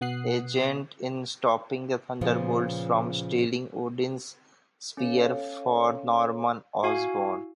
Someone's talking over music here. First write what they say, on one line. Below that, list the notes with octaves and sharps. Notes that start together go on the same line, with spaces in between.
Agent in stopping the Thunderbolts from stealing Odin's spear for Norman Osborn.
B2 B3 F#5 D#6 F#6 C7
A#2 C#3 F3 B3 F4
C#4 A4 C#5 F5
E4 F#4 F5 G#5